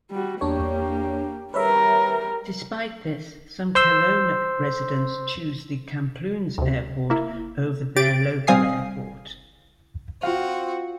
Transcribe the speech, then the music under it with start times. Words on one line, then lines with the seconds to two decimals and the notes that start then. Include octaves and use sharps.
Despite this, some Kelowna residents choose the Kamloops Airport over their local airport.
0.11 G3 F#4
0.41 E2 A#3 D4 G4 C#5
1.54 G3 A#4 B4 C#5 E5
3.75 C5 C6 E6
6.58 D2 C3
7.10 A#3 E4
7.96 G4 A6 D7
8.47 G3 C4 F5 G#5 D#6 C7
10.23 C4 F4 F#4 F5